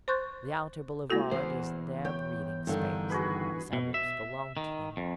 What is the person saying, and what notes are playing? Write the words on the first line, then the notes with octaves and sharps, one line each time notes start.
The outer boulevard is their breathing space; the suburbs belong to them.
C5 C6 C#6 F#6 G6 A6
G#3 A#3 E4 F#4 A4
E2 C5
C#5 G5
G2 D3 D#3
F#4 G#4 B4
B2
E5
D#3
F2